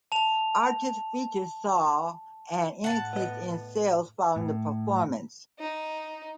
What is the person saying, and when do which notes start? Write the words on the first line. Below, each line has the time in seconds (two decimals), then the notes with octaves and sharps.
Artists featured saw an increase in sales following the performance.
0.12 A5 F7
2.84 A2 F#5 A5
3.13 B3 D#5
4.36 A2
5.59 D#4